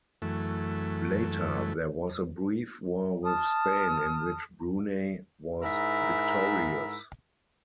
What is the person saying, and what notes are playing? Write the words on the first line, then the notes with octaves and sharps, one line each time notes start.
Later, there was a brief war with Spain, in which Brunei was victorious.
F#2 E3 A3
A5 D#6 F6
G#2 E4 A#4 E5